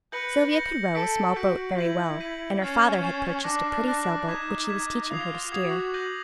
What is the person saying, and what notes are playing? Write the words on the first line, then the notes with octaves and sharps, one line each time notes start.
Sylvia could row a small boat very well, and her father had purchased a pretty sailboat which he was teaching her to steer.
B4 G6 A#6 C#7 F#7
G6 A#6 C#7 F#7
A4 G6 B6 D7
F#4 G6 B6 D7
E4 G6 B6 D#7 F#7
G6 B6 D#7 F#7
C#4 F6 A6 C7 E7
F6 A6 C7 E7
D4 D6 F#6 A#6
D6 F#6 A#6
D#4 G#6 B6 E7
G#6 B6 E7
F4 D#6 G#6 C7 F7
F#4 D#6 G#6 C7 F7
G6 A#6 D#7 F#7